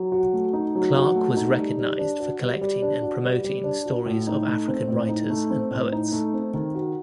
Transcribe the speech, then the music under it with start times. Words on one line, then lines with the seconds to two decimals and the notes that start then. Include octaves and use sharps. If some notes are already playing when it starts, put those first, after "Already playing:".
Clarke was recognized for collecting and promoting stories of African writers and poets.
Already playing: F#3
0.12 F#4
0.33 A3
0.53 D#4
0.75 F#3
0.96 F#4
1.15 A3
1.37 D#4
1.58 G3
1.79 G3
1.99 D4
2.20 F#4
2.41 G3
2.61 G3
2.82 D4
3.02 F#4
3.23 G3
3.44 G3
3.64 D4
3.86 F#4
4.06 A2
4.27 D#4
4.47 A3
4.68 C4
4.88 A2
5.09 D#4
5.30 A3
5.50 C4
5.71 A2
5.92 D#4
6.12 A3
6.33 C4
6.54 D#3
6.75 F#4